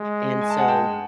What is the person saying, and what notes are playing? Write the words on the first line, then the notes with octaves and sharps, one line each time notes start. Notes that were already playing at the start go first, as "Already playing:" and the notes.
and so,
Already playing: G#3
G#5
A5
F#5 G#5
G5 A5